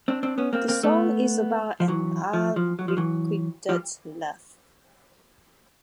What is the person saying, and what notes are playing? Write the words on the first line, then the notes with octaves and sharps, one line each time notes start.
The song is about an unrequited love.
C4 D4
C4 D4
B3 C#4
A#3 C4
A#3 C4
A3 B3
F3
E3 F#3
F3
F3
F#3
F3
E3 F#3
F3 G3